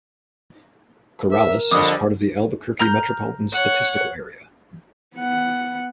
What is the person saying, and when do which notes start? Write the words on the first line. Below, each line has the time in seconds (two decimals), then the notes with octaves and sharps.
Corrales is part of the Albuquerque Metropolitan Statistical Area.
1.31 A#4 E5
1.71 F2 D3 G3 D6 D#6
2.79 A#5 F6 G6
3.53 C#5 F#5
5.16 B3 F#5